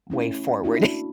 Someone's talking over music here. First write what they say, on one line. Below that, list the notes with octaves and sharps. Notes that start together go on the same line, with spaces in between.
way forward.
A3 C#4 E4
A#3 D4 E4 F#4